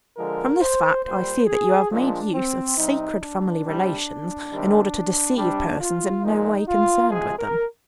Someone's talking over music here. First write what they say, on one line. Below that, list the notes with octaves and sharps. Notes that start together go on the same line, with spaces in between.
From this fact I see that you have made use of sacred family relations in order to deceive persons in no way concerned with them.
D3 F3 G#3 A#4
C5
A#2 G3 C5
G#4
A#2 F3 G#3 D4
C4
C3 G3 D#4
D4
C3 G3
C3 D#3 G3
C3 G3 D4
F4
A#2 F3 G#3 D#4
F4
C3 F3 G#3 G#4
A#4